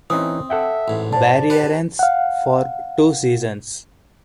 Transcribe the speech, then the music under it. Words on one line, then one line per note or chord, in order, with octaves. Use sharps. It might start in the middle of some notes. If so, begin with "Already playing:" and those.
Barreirense for two seasons.
E3 C4 C#4 D#4 D#6
A4 E5 F#5 G5
A1 G#2
G#2 C5 D5 A5
G4 B4
F5 F#5